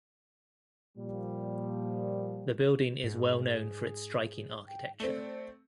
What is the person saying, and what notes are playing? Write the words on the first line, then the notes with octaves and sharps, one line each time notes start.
The building is well known for its striking architecture.
A#2 F3 G3
G#2 G#4
G5
A3 C4 D5